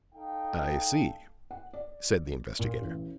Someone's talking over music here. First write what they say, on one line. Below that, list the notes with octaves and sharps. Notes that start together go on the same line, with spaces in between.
"I see," said the investigator.
D#4 A4 F5 G5
F#5
D5
A#2
A1